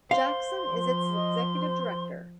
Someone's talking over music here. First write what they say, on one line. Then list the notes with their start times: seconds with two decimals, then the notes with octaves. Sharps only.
Jackson is its executive director.
0.11 C5 F5 C6
0.68 F3
1.14 D#5
1.55 C5